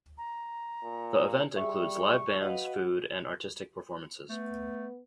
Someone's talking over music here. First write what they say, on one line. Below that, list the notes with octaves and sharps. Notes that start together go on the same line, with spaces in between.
The event includes live bands, food, and artistic performances.
A#5
A#2
G3 G#4 E5 C#6
F#4 B4 D#5 F5
A3 B3